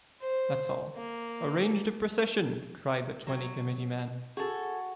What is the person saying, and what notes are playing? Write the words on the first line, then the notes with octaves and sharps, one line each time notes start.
That’s all.’ ‘Arrange the procession,’ cried the twenty committee-men.
C5
A#3
F#3
F#4 G#4 A4